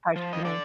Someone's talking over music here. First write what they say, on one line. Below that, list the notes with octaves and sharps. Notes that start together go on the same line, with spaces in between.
Partridge Family.
F3
D#5
D3 D5